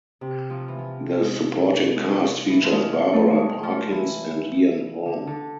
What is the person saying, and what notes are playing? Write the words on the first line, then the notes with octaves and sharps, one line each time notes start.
The supporting cast features Barbara Parkins and Ian Holm.
C3
F3
E3
F3
G#3
G#3
F3
E3
F3
G#3
F3
A3
G#3
F3
E3
D3
D3